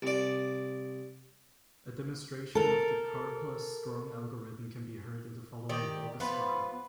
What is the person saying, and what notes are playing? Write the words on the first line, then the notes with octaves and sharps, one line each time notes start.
A demonstration of the Karplus-Strong algorithm can be heard in the following Vorbis file.
C2 D5
A4 A#4
D#3 G4 D5
F3 B3 F4 B4